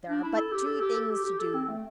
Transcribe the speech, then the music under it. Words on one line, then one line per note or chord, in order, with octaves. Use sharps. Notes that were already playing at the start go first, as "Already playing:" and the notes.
There are but two things to do.
D4
E4
A4
G4
A4
G4
A4
G4
G4
A4
C4
A3